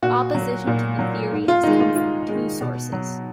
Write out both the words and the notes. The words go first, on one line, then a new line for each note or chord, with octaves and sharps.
Opposition to the theory has come from two sources.
A#2 F#4
F#3
A#2
F#3
G#2
F4
D#3 G#3 D#4
F4
G#2 F4
D#3 G#3
B2
F#3